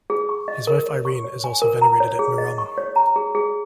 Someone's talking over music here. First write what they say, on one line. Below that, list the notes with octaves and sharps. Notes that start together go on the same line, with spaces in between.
His wife Irene is also venerated at Murom.
G#4
C#6
D#5
A#4
C#5
C#6
C#5
G#5
A#4
A#5
C#5
G#4
D#5
C#6
C#5
A#5
G#4
G#4